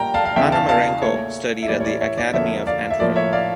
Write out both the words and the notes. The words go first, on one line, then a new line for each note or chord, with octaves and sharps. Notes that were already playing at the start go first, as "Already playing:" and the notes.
Panamarenko studied at the academy of Antwerp.
Already playing: A#2 G3 A#3 G5 A#5
F5 A5
F5
E2 C#3 E3 E5 G5
F5 A5
F5 A5
A#2 A3 C#5
E5
A2 E3 G3 A#3 D5
C#5
D5
C#5 E5
D5
F2 D3 F3 A#3 C#5 E5
D5 F5
E5
A2 F3 A#3 D5
C#5 E5
D5 F5